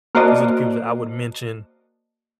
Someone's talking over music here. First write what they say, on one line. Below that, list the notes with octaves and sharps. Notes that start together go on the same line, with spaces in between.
These are the people that I would mention
A#3 F#4 C5 D5 D#5 A5